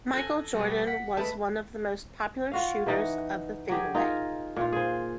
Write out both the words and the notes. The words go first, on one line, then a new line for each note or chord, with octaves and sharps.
Michael Jordan was one of the most popular shooters of the fadeaway.
A4 G#5 F#6 A#6
B2 G3
F#5 B6
G#3 A3 B4 A5 B5
F4 F#4 F5
E3 D#4 F#5
F#3 G4 G#4
D#4 F4 G#4 A#4
A#2 F4
G#4 C5